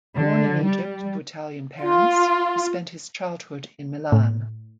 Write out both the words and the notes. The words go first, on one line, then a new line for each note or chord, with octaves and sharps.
Born in Egypt to Italian parents, he spent his childhood in Milan.
D3
G3
F4
A2